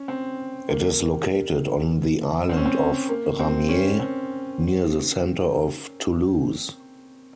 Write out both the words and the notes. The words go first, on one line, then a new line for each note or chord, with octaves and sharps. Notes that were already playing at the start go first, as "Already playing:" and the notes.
It is located on the island of Ramier near the centre of Toulouse.
Already playing: C#4
C4
A#3
C4
C#4
C4
A#3
C4
C#4
C4